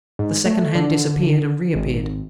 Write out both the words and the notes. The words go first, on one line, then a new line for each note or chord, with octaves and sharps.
The second hand disappeared--and reappeared.
G#2
A3
D3
G#1